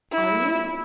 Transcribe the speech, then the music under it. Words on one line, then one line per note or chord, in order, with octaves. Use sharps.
"Are you?"
E4